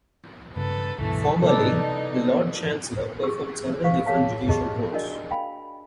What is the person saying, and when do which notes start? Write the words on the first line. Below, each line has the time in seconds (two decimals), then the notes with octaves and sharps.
Formerly, the Lord Chancellor performed several different judicial roles.
0.56 G2 C#3 A4 B4
0.98 C#2 G2 B2 E3 A3 A4
1.42 C3 G3 B3 D#4 A4 B4 D5
3.23 G4 G#4 C#6 E6
3.83 C5 F5 C#6
4.06 G#4 A#4 C#5 F5 G#5 A5
4.49 G4 G#4 D#5 A5
4.93 D4 F#4 A#4 D5 D#5
5.30 F5 G5 G#5 B5